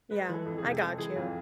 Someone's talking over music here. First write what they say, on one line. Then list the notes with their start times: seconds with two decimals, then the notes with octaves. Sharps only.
Yeah. I got you.
0.10 G#3 B4
0.29 E3
0.34 A4
0.46 F2
0.58 G#4
0.63 C3
0.80 G#3 A4
0.98 E3 G#4
1.15 F2 F4